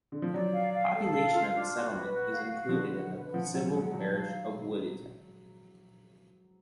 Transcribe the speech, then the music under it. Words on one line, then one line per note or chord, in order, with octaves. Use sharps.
The population of the settlement is included in the civil parish of Woodditton.
D3
F3
F#3 D5
F5
F5
A4
F5
F4
D4
F#4
B4
F#4
F5
F#4
F3
D3 B4
F#5
B4
F3 F#5
F#3 F#5
G#3 F#5
F#3 A5
F5